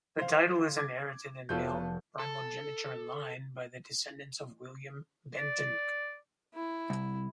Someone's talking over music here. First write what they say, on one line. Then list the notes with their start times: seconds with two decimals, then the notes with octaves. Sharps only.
The title is inherited in male primogeniture line by the descendants of William Bentinck.
0.19 C5 F5
0.77 D6 G#6
1.49 F1 B3 F4 F#4 A4 G6
2.19 A4
5.38 D5
6.55 E4
6.90 C2